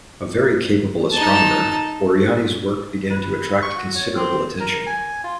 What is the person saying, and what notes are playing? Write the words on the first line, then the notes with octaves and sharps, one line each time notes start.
A very capable astronomer, Oriani's work began to attract considerable attention.
D#4 A5
B4
C#6
F#4
C#5
C4
A#4
G#5
F4